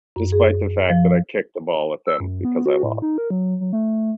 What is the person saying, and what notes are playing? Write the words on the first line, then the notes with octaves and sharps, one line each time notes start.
despite the fact that I kicked the ball at them because I lo
F#2
G#4
F3
E6
F#2
B3
F#4
A2
D#4
A#4
F#3
F#3
A3